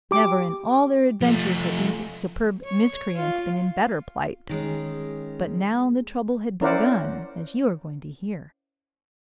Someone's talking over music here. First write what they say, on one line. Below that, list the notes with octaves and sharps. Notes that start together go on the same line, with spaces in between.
Never in all their adventures had these superb miscreants been in better plight; but now the trouble had begun, as you are going to hear.
G4 D6
F3 A3
C#5
F4
D#3 G#3 C#4
C#4 E4 A#4 C5 D5 F#5